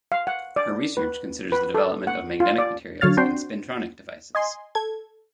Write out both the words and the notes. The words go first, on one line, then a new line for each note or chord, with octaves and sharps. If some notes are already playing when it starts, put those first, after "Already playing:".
Her research considers the development of magnetic materials and spintronic devices.
F5
F#5
D5
B4
B4
A4
F#5
F4
D5
D3 F#3 C#5 F5 F6 A6
C4 D4 F#4 C5 G5 C6
D#5 G#5 C6
A4 G#6